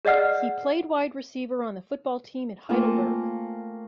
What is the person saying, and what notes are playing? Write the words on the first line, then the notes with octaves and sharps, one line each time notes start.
He played wide receiver on the football team at Heidelberg.
G#4 D5 D#5 F#5 F6
A3 A#3 C4 F4 G#4 F5